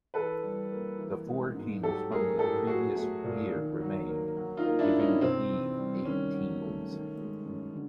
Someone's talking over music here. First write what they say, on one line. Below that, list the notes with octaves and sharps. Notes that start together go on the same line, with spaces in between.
The four teams from the previous year remained, giving the league eight teams.
E3 A4 B4
G3
A#3
E3
G#3
G#2
F#3 G4 A4
A3 G#4 A#4
A2 G4 A4
F#3 F#4 G#4
A3
A#2
D#3
F#3
A#3
F#3
D#4 F4
A#3
D4 E4
A2
C#4 D#4
C3 C4
E3
G3
D#3 C#4
F#3
A3
D#3
G#3
F#2
D3